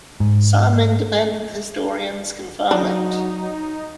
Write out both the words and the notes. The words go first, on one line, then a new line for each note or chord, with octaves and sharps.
Some independent historians confirm it.
G#2
F#3 D4 D#4